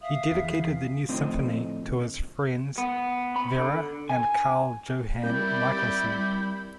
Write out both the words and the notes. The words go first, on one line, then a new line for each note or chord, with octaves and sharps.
He dedicated the new symphony to his friends Vera and Carl Johan Michaelsen.
E5 F5 D#6
E2
A2 D3 F3 C4 D#4
B3
B5
D3
G#5
G3 A#3 C4 E4 D5 B5 G6